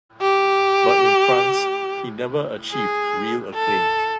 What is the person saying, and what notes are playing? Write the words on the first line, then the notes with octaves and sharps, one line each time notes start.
But in France, he never achieved real acclaim.
G4
G#4
A4